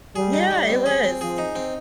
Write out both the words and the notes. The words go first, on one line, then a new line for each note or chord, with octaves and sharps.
Yeah, it was.
G3 G#4
D#4
G3
C4
G#4
C4
F3 G#4
D#4
C4